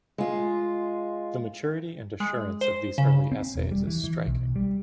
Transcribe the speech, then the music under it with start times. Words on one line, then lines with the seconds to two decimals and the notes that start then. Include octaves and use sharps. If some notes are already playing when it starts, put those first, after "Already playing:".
The maturity and assurance of these early essays is striking.
0.18 G#3 F4
2.20 G#3
2.61 C5
2.98 C#3
3.32 C4
3.55 E1
3.71 G3
3.87 E3
4.04 E3
4.27 B1
4.56 G3